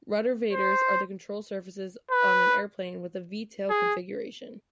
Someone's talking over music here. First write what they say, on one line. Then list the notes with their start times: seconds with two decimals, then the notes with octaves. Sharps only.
Ruddervators are the control surfaces on an airplane with a V-tail configuration.
0.53 C5
2.11 B4
3.70 G#4